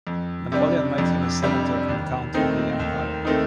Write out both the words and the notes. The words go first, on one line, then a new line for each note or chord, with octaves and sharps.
Napoleon made him a senator and count of the empire.
F2
C3 G3 D4
F2
C3 G3 D4
D#2
D#3 A3 C4 D#4
D#2
D#3 A3 C4 D#4